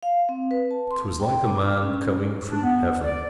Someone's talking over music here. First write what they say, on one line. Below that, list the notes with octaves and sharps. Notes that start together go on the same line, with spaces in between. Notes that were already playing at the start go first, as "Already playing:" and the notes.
It was like a man coming from heaven.
F5
C4
B4
A5
C6
G5
D6
C#4
D4
B3
D5